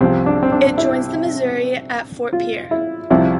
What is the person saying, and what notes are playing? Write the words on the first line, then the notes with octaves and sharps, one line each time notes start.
It joins the Missouri at Fort Pierre.
C2 C3 F3 C4
D4
C4
D4
E4
F4
E4
C2 C3 F3 E4